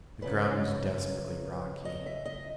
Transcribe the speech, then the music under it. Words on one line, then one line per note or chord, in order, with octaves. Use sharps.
The ground was desperately rocky.
F#2 C#3 F#3 B4
D#5
E5
D#5